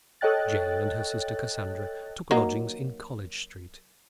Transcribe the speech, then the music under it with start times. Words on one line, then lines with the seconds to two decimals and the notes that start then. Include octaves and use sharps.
Jane and her sister Cassandra took lodgings in College Street.
0.21 A4 C#5 D#5 G5 F#6 A6
2.31 F#3 A#3 D#4